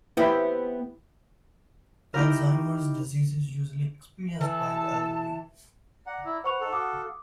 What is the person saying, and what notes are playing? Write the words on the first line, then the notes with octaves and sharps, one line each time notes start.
Alzheimer’s disease is usually experienced by the elderly.
B3 C4 E4 G4 E5
D#4 E4 G4 A#4
E3 A4 A5
D5 F#5 A#5
E4
B4 C5 F#5 C#6 F7
D#4 A4 F#5 F#6
F#4 F5 F#5 D6 D#6